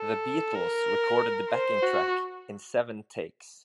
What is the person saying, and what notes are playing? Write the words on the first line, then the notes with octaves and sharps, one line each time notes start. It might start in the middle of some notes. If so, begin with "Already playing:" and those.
The Beatles recorded the backing track in seven takes.
Already playing: A4
A#4
C5
F#4